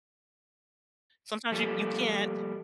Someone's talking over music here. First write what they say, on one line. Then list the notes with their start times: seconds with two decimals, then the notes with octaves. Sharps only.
Sometimes you you can't
1.52 F3 G3 A#3 A4